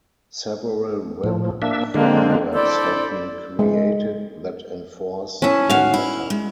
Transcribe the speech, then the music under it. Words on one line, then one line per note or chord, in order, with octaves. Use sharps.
Several web frameworks have been created that enforce the pattern.
A2 F3
A#3 D4 E5
D3 G#3 A#3 C4 D4
D4 E4 A4 C5 D5
G#3
C#4 E4 A5
D#2 A2 F#4 F5
E4
G#3